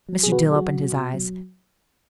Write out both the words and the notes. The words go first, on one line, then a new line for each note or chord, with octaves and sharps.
Mr. Dill opened his eyes.
F#3
B2 G#4
F#4 B4
F#3
G#4
F#4
F#3
B2
B2
F#3